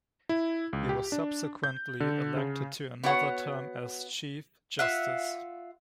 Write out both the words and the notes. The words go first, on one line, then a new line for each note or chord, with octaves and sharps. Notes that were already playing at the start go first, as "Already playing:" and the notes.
He was subsequently elected to another term as Chief Justice.
E4
C#2
G4
D4
G6
D3
C#3
B3 F#4 C#5 F#5
F4 E5 F#5